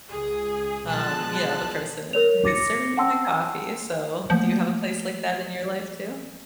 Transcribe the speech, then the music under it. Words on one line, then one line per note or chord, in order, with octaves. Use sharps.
um, you know, the person who's serving me my coffee, so do you have a place like that in your life too?
C#2 G#4
B2 F3 G#3 A5 F#6
A#4 C#5 F7
D6 A6 A#6 C#7
F#5 G5 A5 C6 E6
F3 A3 A#3